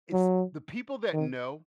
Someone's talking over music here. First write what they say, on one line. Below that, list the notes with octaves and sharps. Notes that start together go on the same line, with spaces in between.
it's the people that know,
F#3
D#3